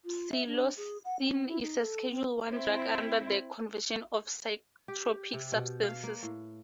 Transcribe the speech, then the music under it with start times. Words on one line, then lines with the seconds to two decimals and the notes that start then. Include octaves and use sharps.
Psilocin is a Schedule One drug under the Convention on Psychotropic Substances.
0.05 F4
0.31 E5
0.46 D4
0.77 G#4
1.05 F#5
1.19 C4
1.33 C4
1.48 E4
1.62 D#4
1.79 A4
2.11 C4
2.46 C4 E4
4.88 G4
5.33 C3
5.52 B2
5.83 F5
6.04 A#3
6.23 A2